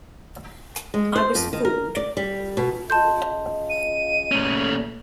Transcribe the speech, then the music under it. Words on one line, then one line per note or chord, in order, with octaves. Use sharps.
I was fooled.
G#3
C5
F2
D#3
A#4
D5
G3
B2
C#3 F4 D#5 A5 C6 G6
D#7
E2 A#2 A3 C#4